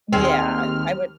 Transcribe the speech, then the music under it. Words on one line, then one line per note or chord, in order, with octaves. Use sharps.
Yeah, I would
D#2 G#3 C4 F6